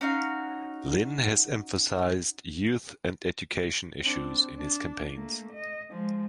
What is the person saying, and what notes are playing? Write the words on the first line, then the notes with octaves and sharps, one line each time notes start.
Lin has emphasized youth and education issues in his campaigns.
C#4 D#4 F#4 F5
C4 D4
D4
A3 A#3
D#5
F3 G#3